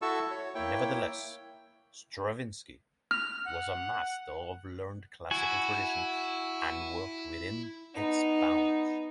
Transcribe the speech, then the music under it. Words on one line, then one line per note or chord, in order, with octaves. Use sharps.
Nevertheless, Stravinsky was a master of learned classical tradition and worked within its bounds.
E4 F#4 A4 A5 C#6 E6
C#5
A#3 E4 C#5 G5
F6 F7
F#5
E4 F#4 G#5
B3 D#4